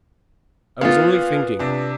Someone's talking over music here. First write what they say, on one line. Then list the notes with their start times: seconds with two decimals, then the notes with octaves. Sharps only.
I was only thinking.
0.81 A#2 B3 F4 F5
1.59 C3 D4